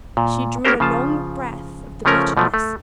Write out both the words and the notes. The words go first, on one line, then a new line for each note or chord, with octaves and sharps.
She drew a long breath of the bitterness.
A#2
A#3 B3 C#4 G4 A#4 C5
C#3 F3 F4 A5
C#3 F3 A3 C#4 A#4
B2 F3 F#3 A3
A3